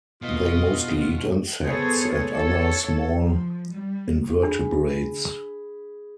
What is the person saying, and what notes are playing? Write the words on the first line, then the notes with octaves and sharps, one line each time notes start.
They mostly eat insects and other small invertebrates.
B2 F4 D#5
B3 G#4 A4 C5 C#5
A4 C#5
F3
G3
D4 G#4 B5